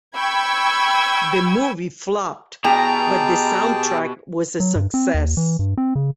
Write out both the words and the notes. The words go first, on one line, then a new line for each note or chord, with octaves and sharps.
The movie flopped but the soundtrack was a success.
G5 B5 C#6 E6 G#6
B2 G4 G#4 G5 A5 A#5
F#3
G2
C4
D#2
E3
G2
C4
C#3